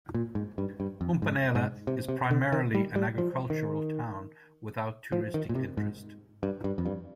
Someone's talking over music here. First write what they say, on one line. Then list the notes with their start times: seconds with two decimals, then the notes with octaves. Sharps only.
Mponela is primarily an agricultural town without touristic interest.
0.14 A#2
0.35 G#2
0.58 G2
0.80 G2
1.01 F2
1.22 G#2
1.55 G#2
1.87 C3
2.09 C3
2.31 D3
2.52 D#3
2.75 G3
2.96 G3
3.18 F3
3.50 D#3
5.12 F3
5.34 D#3
5.49 A#2
5.55 C3
5.77 G#2
6.43 G2
6.64 G2
6.78 F2
6.86 G2